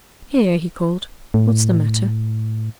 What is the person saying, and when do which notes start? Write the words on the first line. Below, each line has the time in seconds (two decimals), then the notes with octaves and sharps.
"Here," he called, "what's the matter?"
1.34 A2